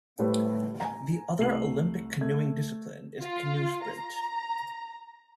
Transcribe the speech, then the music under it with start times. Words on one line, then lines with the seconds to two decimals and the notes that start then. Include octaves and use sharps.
The other Olympic canoeing discipline is canoe sprint.
0.19 A2 G3 A3 B4 C5
0.80 G#5 A#5
1.39 C2 A3 C7 F#7
2.21 A3 G#6
3.22 F4
3.85 A#5